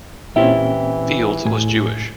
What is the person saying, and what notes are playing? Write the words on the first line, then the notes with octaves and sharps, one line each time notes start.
Fields was Jewish.
A#2 E3 C4 C#4 E4 G4 E5
A2 G#5